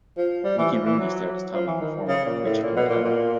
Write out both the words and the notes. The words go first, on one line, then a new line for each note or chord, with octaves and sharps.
Mickey Rooney starred as Tommy in the former and Richard in the latter.
F3
G3
E3
F3
E3
F#3
F3
E3
D#3
C#3
A#2
A2
A#2
B2
A#2
A#2